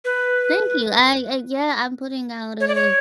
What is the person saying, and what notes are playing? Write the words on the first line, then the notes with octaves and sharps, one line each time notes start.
Thank you, I I yeah, I'm putting out a
B4
C#5
D5
C#5